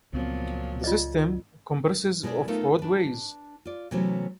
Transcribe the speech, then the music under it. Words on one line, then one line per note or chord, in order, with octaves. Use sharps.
The system comprises of roadways.
C#2 A#2 F3 F#3 B3 C4
F4 D5 D#5
B2 G#3 E4 G#4 D5
A3 B3 D#4 F4 A4 A#4
D4 B4
F4 D5
C3 E3 F#3 A3 B3 C#4